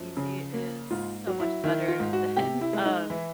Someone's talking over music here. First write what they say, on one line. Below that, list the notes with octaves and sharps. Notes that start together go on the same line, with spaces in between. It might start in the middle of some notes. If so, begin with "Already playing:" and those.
PC is so much better than um,
Already playing: F#2 F3
C#3
A#3
G#2 F4
F#3
E4
D#3 E4
F4
G#2
F#4
C3 G4
E4
G#3
D#4
E3 E4